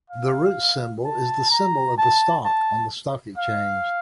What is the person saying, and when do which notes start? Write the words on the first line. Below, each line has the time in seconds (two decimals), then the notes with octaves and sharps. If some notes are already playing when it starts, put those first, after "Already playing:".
The root symbol is the symbol of the stock on the stock exchange.
0.10 F5
1.04 A5
1.51 A#5
1.98 A5
2.45 A5
3.38 F5